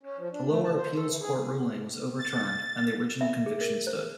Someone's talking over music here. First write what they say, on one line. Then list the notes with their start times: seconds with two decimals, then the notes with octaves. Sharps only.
The lower Appeals Court's ruling was overturned and the original conviction stood.
0.03 C#4
0.18 F3
0.32 D4
0.49 A3
0.64 A5
0.77 C5
0.95 A4
1.09 E3
1.21 G#4
2.19 A6
3.21 E5
3.46 G#4
3.61 A#4
3.87 C5